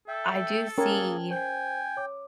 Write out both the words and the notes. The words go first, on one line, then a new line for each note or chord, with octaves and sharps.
I do see,
A4 E5 G5
A#3 C#4 G#4 A#4 G5 A5 G#6
C5 G5 G#5
C#5 D6